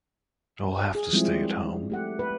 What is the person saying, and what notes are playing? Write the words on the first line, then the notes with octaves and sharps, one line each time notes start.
I’ll have to stay at home.
G#4
F3 G3 G#3 C4 E4 G4
A3 G4 F#5
B4